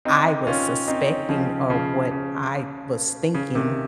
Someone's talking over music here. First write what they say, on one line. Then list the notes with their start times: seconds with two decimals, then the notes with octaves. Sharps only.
I was suspecting or what I was thinking
0.05 C4 D#4
0.47 C#4 F4
0.88 C4 D#4
1.29 C#3 F3
1.70 C#3 F3
2.11 C#3
3.34 C#3
3.55 C3 D#3